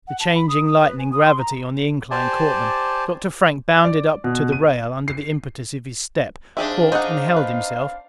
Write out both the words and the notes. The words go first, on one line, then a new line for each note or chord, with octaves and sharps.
The changing, lightening gravity on the incline caught them. Dr. Frank bounded up to the rail under the impetus of his step; caught and held himself.
F#5
A5
B5
D#6
D#6
B4
G#5
D#6
C6
A#5
G4 C5 D5 G#5 A5
D5
B2
D#7
C7
C4 D4 G4 G#4 E5 F5
D#4 G#4 D#5 F#5
B4